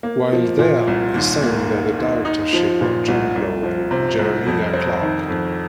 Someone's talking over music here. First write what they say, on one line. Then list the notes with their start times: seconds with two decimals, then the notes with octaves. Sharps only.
While there, he sang under the directorship of John Blow and Jeremiah Clarke.
0.03 A#3
0.32 F3
0.59 A#2
0.87 C2
1.14 D#2
1.43 A#3
1.70 D#3
1.98 D#2
2.25 D#4
2.53 F3
2.81 A#2
3.08 C2
3.36 C2
3.63 F3
3.91 C3
4.19 C2
4.46 F2
4.73 C4
5.02 D#3
5.29 F2